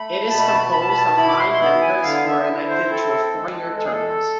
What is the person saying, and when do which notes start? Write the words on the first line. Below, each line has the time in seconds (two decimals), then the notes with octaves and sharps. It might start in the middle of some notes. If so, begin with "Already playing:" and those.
It is composed of nine members who are elected to a four-year terms.
Already playing: A3 B5
0.30 B2 A5
0.39 B5
0.47 A5
0.55 B5
0.63 A5
0.72 B2 B5
0.81 A5
0.88 B5
0.97 A5
1.17 E4 B5
1.29 D6
1.39 C6
1.53 C6
1.60 B3 B5
1.81 G#5
2.03 D3 F5
2.26 E5
2.47 E4
2.68 C5
2.90 C4 A4
3.33 G#3
3.77 E2 A4
3.84 G#4
3.92 A4